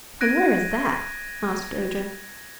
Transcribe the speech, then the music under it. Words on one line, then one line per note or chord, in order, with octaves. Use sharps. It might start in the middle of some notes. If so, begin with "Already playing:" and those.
"And where is that?" asked Ojo.
F#6 G#6 A#6 D7 D#7